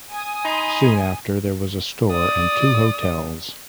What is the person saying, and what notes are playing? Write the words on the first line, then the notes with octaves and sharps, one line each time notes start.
Soon after there was a store and two hotels.
G#5 D#6
D#4 B5 C6
D5 D#6